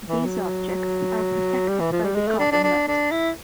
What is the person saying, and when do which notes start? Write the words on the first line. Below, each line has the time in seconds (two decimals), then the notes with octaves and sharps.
These objects are protected by the government.
0.09 E3
0.25 F#3
1.68 G3
1.80 E3
1.92 F3
2.04 G3
2.15 G#3
2.27 A3
2.39 D4
2.52 D4
2.63 D4
2.87 D4
3.11 E4